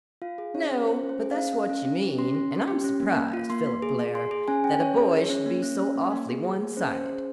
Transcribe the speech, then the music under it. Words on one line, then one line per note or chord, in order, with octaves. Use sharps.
"No, but that's what you mean, and I'm surprised, Philip Blair, that a boy should be so awfully one-sided."
F4 F5
G#4
C#4 C#5
C#4
F4 C5
C#4
C5
G#4
F5
C#4
C#4
C#4
C#4
G4
C#4 C6
C#4
C#4
G4
C#4
A#3
A#3
F4
A#3 C6
A#3
G#4
G#4
G#4 C6
G#4
C#4 G#5
C#4 G5
C#4 C#5
G#4
G#4
C#4
A#3
C#4
C#4
A#3
A#3
G#4
G#4
A#3
C#4 C5
C#4 C5
G#4